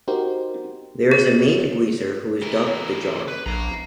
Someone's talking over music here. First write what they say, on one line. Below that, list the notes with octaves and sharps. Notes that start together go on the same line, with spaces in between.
There is a main guizer who is dubbed the "Jarl".
D#4 F#4 G4 A#4 C5
G#4
E3 A#4
B4
A#1 F5 A#5